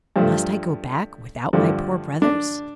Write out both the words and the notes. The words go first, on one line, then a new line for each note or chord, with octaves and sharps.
"Must I go back without my poor brothers?"
G2 F3 A3
G2 D3 F3 A3
D4